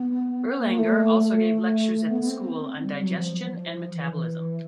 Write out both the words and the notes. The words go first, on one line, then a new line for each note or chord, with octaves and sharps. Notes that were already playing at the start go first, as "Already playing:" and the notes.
Erlanger also gave lectures at the school on digestion and metabolism.
Already playing: B3
A#3
A3
A3
B3
B3
C4
G3
F#3
E3
F3
F3
F3
E3
E3